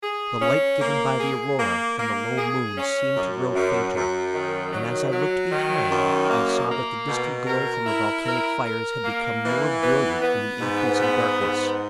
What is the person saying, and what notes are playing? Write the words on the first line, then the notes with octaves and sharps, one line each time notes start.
The light given by the aurora and the low moon seemed to grow fainter; and as I looked behind I saw that the distant glow from the volcanic fires had become more brilliant in the increasing darkness.
G#4
C#4
A#3
G#4
A#3
A#3
G#4
C#4
F#2
F#2
F#2
D#3
F#3
F#3
D#3
F#2
A#3
A#3
B2
A#4
E4
A#4
A#4
A#3
E3
B3
B3
G#2
B3
G#2